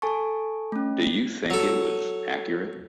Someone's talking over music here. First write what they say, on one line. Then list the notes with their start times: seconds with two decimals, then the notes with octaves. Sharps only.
Do you think it was accurate?
0.02 A4 G#5 A5 C#6
0.72 A3 C#4
1.50 F#3 A4